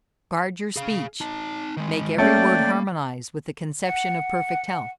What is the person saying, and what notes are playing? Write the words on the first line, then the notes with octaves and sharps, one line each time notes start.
Guard your speech; make every word harmonize with the conception of perfect health.
G#4 F5
D#4 A5
D#3 G#3
A3 A#3 C#4 D5 G5
F#5